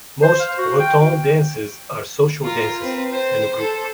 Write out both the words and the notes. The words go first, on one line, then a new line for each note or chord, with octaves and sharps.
Most Breton dances are social dances, in a group.
C5
F5
F#4
G5
F4 A#4
C4 B4
C5
A4